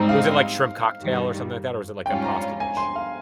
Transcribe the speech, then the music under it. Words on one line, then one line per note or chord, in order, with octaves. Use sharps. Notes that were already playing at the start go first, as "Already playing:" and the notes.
was it like shrimp cocktail, or something like that, or was it like a pasta dish?
Already playing: G#2 G3 C4 D#4
F5
G2 D#3 G3
G#2 G3 C#4 F4 G5
A#5
G#5
C6
F5